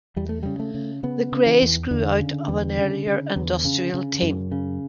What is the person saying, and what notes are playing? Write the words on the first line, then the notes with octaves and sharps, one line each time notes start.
The Grays grew out of an earlier industrial team.
E2 G3
A3
C#3 G3
A3
C#3
C#3 B3
C#3
E3
E2
E2 D3
C#3
E2
C#3
C#3
E2
C#3
C#3
F#2
C#3